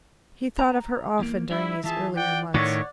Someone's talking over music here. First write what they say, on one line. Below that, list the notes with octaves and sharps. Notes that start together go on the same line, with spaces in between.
He thought of her often during these earlier months.
A#5
E2 A#3
G3 D4 E4
E3 F4 G#4 E5 A5
D5 F#5 G5
A2 D#3 C#5 D5 F#5